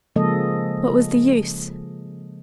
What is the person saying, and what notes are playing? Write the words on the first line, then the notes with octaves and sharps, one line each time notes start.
What was the use?
C#3 F3 G#3 A#3 A4 D#5